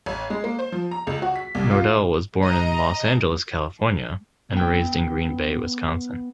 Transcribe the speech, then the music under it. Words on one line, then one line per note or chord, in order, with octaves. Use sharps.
Nordell was born in Los Angeles, California and raised in Green Bay, Wisconsin.
A1
G#3
A#3
C5
F3
A#5
C#2
F#4
B6
C2
F4
D#5 A#5
B3 G5